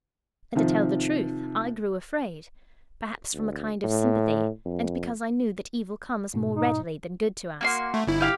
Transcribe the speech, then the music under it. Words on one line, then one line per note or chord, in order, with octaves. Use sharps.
And to tell the truth, I grew afraid; perhaps from a kind of sympathy, and because I knew that evil comes more readily than good to us.
C3 D#3 F3
D2
A2
F2
G#2 B2
D#4
A#3 F#4 C6
A3
G1 E4
G4 F5 G5